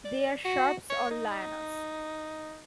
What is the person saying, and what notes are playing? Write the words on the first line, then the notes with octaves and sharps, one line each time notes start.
They are shrubs or lianas.
D5
F#4
C#5
D#4